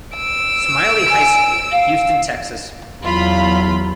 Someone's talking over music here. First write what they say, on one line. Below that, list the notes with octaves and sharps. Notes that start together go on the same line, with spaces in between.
Smiley High School in Houston, Texas.
E6 D7
G#5
F5
E2 F#3 F4 B5